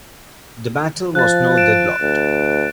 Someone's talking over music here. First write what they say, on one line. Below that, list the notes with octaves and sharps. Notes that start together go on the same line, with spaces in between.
The battle was now deadlocked.
F3 F#6 A6
D7 E7
D2